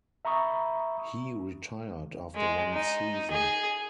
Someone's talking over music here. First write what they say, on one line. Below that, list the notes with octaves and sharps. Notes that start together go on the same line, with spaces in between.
He retired after one season.
E5 A#5 B5 C#6 D#6
G#3
D#4
G#4